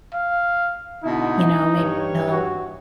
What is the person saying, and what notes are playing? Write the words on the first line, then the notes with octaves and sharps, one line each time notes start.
you know, may they'll
F5
B2 D3 D#4 E4
G2 C#5
F#4